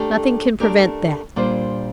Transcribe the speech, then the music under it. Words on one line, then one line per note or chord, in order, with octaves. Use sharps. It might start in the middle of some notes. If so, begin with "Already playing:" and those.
Nothing can prevent that.
Already playing: A3 D4 G4 A#4
A3 D4 G4 A#4
A#2 G3 D4 F4 C5